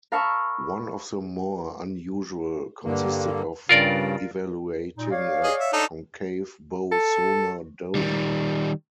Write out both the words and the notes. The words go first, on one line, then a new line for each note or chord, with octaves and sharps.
One of the more unusual consisted of evaluating a concave bow sonar dome.
A#4 F5 A5 B5 C#6 E6
G2 D3 A#3
G2 C#3 F4 A#4 D5
A#2 D#4
C#5 D5 F5
G#4 D#5
E5
D4 D#4 A4
A4
D#3 G3